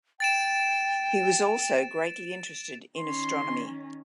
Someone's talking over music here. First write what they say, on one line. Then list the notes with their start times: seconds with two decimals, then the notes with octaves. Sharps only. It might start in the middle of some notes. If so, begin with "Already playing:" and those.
He was also greatly interested in astronomy.
0.20 G5 A6 D7 E7
2.98 D#3 C#4 C6